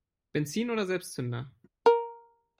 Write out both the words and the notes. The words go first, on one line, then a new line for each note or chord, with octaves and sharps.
Benzin oder Selbstzünder?
A#4